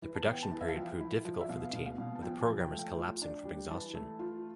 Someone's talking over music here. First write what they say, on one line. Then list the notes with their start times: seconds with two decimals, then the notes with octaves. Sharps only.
The production period proved difficult for the team, with the programmers collapsing from exhaustion.
0.02 E3
0.16 A5
0.26 B3 G5
0.43 A5
0.51 E3
0.61 E5
0.68 F5
0.76 F3 G5
1.00 E4
1.25 F3
1.41 E5
1.49 B2 F5
1.73 B2
1.86 F5
1.98 B2
2.15 A5
2.22 F3 G5
2.41 A5
2.48 F3
2.60 G5
2.72 A3
2.79 G5
2.96 F4
3.22 D4
3.45 G3
3.71 E3 A5
3.95 A3
4.19 F4